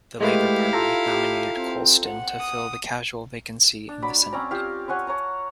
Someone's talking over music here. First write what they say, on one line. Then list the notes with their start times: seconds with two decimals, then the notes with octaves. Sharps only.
The Labor Party nominated Colston to fill the casual vacancy in the Senate.
0.21 G#3 A3 E4 G4 B4 F5
0.73 F4 A4 A#5
1.06 G4
1.56 C4
2.07 F#5
2.40 D#6
3.89 D4
4.02 F#3 D5 B5
4.33 C4 C#4 D5 A#5
4.51 F4 G4 F5
4.88 C#5 F#5 G#5 C6
5.07 C#5 A5 A#5